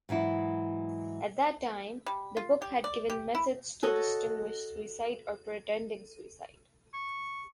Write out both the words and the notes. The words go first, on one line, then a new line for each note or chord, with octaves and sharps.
At that time, the book had given methods to distinguish suicide or pretending suicide.
G#2 E3 F#3 E4
G3
F4
G4
D5
G4
E4
F#4 A4 C#5 D#5
C#6